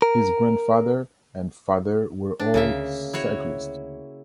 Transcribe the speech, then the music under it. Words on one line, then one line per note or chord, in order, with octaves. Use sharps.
His grandfather and father were all cyclists.
A#4
D4
D2 C#3 A#3 E5
E4 F#4 C#5